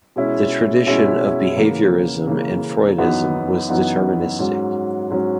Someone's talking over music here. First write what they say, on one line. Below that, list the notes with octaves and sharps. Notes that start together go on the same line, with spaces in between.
The tradition of behaviourism and Freudism was deterministic.
B2 G#3 C#4 E4
B2 G#3 C#4 E4
C#3 E3 A#3
C#3 E3 A#3
F#2 E3 B3 D#4
F#2 E3 B3 D#4
G#2 F#3 C#4
G#2 F#3 C#4